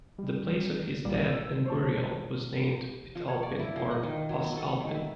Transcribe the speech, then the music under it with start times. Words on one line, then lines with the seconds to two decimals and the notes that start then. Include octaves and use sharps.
The place of his death and burial was named Pitalpin or Pas-alpin.
0.18 G3
1.05 A#1 A#2 G3 A#3 D5
1.29 E6
1.66 C5 C#5 A5
3.15 F3
3.28 C#5
3.43 D5
3.59 E4
3.76 F3
3.91 D#5
4.03 D#3
4.29 F#3
4.44 B3
4.57 A4
4.80 D#3
4.95 E5